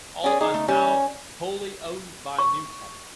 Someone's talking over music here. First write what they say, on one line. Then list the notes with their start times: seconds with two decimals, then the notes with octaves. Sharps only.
All are now wholly owned by Newcap.
0.24 C#4 G#4 D5
0.41 D#4 G#4
0.54 A3
0.68 G3 C#4
2.39 C#6